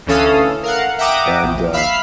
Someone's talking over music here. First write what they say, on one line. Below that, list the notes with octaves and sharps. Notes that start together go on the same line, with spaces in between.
and, uh
D2 E3 C#4 A4 F5 D#6
A#4 F5 F#5
E5 F#5 G5 A#5 D6 D#6
A#1
E5 F5 B5 F6 B6 C7